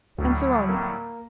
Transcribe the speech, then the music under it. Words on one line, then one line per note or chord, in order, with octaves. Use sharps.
And so on.
D2 A2 F#3 G3
A#3